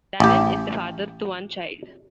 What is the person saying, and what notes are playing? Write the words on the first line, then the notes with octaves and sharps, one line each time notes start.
Danan is the father to one child.
A1 G4